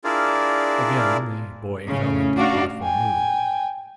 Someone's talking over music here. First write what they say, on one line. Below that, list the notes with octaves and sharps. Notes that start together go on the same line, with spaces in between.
Again the boy fell into a thoughtful mood.
D4 E4 F4 G#4 A#4 D5
A2 C#3 C#4
A3 D4 F#4 D5 F5
G5 G#5